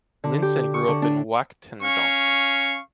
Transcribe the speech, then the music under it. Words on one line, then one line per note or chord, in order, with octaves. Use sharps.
Linssen grew up in Wachtendonk.
D3
G4
C#6
D3
D4
C#4 F5 C#6